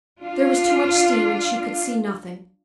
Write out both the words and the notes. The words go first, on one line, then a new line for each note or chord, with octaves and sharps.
There was too much steam and she could see nothing.
D4 F4